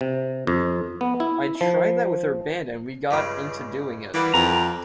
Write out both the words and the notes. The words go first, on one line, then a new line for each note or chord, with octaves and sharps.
I tried that with our band and we got into doing it.
C3
F2
B3
E4
F3
C#2 G2 C#3
E3 G3 A#3 B3
F2 A#5